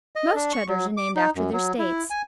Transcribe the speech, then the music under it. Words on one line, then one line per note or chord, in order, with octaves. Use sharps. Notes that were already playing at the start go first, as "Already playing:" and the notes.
Most Cheddars are named after their states.
D#5
D4
C#6
F#3
D6
D#4
F#2
F#3
E4
G#5